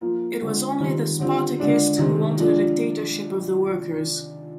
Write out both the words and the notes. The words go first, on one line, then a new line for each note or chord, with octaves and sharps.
It was only the Spartacists who wanted a dictatorship of the workers.
F3 A#3 F4
D3 G#3 C4 F4
D#3 G3 C4 F4
D3 G3 C4 F4
D3 G#3 D4 F4
C3 D#3 G#3 C4
F3 G#3 D4 F4